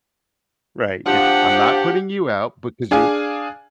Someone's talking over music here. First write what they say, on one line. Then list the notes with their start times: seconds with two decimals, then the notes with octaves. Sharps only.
Right, yeah, "I'm not putting you out because you're"
1.06 F3 D4 G4 F#5
2.91 D4 G#4 F5 G#5